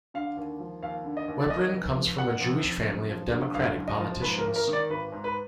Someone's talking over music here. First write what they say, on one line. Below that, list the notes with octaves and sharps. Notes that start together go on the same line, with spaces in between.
Weprin comes from a Jewish family of Democratic politicians.
D3 F5
D#2
F3
D#2 F5
D3
D#5
D#2
D5
F2 D#5
F1
F3
F1 F#5
F2
F1
F#2
F3
D3
F#1 F5
F#2
D#5
F3
G#2 B4
A#4
G#1
A#4
D#3
D5
G#1 B4
G#2
B4